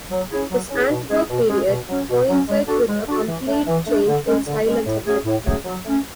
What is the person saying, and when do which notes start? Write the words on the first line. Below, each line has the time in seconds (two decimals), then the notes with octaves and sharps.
His Antwerp period coincides with a complete change in style and subject.
0.11 F#3
0.31 C#4 E4 G#4
0.51 F#3
0.70 C#4 E4 G#4
0.90 B2
1.10 G#3 C#4 G#4
1.29 B2
1.49 G#3 C#4 G#4
1.69 B2
1.89 F#3 C#4
2.09 B2
2.29 F#3 C#4
2.48 G#3
2.68 D4 F#4 A4
2.89 G#3
3.08 D4 F#4 A4
3.28 E3
3.48 A3 D4
3.67 E3
3.87 A3 D4
4.07 D3
4.27 G#3 C#4
4.47 D3
4.66 G#3 C#4
4.86 A2
5.06 F#3 A3 C#4 G#4
5.25 A2
5.45 F#3 A3 C#4 G#4
5.65 F#3
5.86 A3 C#4